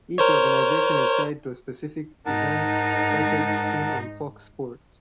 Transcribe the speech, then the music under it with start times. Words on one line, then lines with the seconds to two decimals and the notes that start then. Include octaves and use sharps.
Each organization is tied to a specific events package seen on Fox Sports.
0.18 A#4 C5 C#5
2.26 G#2 D#4 A#4 F#5 A5